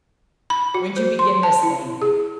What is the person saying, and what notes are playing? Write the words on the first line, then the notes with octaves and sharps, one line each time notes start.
"When'd you begin this thing?"
B5
F#4
C5
C6
A5
E4
G#4